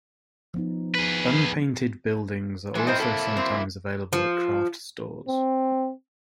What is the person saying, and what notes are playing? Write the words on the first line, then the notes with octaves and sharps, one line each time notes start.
Unpainted buildings are also sometimes available at craft stores.
F3 B3 D#4
G#4 B4
E3 G#3 A4
A#3 C4 E4 C5 D#5
C3 A#3 E4 A4
C4
F3
C4